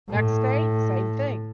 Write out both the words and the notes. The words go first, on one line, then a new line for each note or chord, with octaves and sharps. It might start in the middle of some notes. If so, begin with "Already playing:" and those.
Next day, same thing.
A2